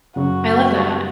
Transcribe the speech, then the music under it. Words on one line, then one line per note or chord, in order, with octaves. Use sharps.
I love that.
F#2 C#3 F#3 F#4